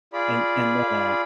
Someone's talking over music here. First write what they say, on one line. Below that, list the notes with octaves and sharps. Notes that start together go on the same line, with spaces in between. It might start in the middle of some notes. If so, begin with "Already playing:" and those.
and and then, uh,
F4 G#4 D5 B5